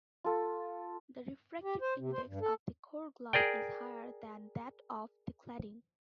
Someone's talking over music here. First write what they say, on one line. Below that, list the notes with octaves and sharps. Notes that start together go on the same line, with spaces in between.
The refractive index of the core glass is higher than that of the cladding.
F4 A4
G4
C5
C3
C5
G2
A4
G#4 A#4 D5 G5